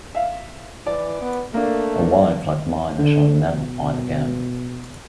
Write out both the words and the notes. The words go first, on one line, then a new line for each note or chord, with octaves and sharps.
A wife like mine I shall never find again.
E5 F5
E3 D5
B3
A3 A#3 D4
D3
B2